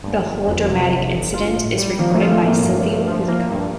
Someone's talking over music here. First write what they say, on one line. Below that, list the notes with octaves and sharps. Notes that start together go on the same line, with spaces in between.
The whole dramatic incident is recorded by Silvio Pellico.
G1
G1
F2
C3
G1
G1
F4
A2
G3
F3 A#3
A3
F4
A3
A2
A#3
G2
G2
F3
A#3
G2